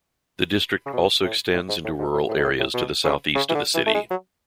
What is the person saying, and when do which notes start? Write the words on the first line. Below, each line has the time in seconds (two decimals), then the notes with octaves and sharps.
The district also extends into rural areas to the southeast of the city.
0.86 C#3
0.93 B2
1.23 A2
1.53 A2
1.69 G#2
1.84 A2
1.99 G#2
2.14 A2
2.29 A2
2.37 G#2
2.44 A2
2.59 A2
2.74 B2
3.04 C#3
3.35 C#3
3.49 E3
3.55 D3
3.74 E3
3.86 A3
3.95 G#3
4.10 F#3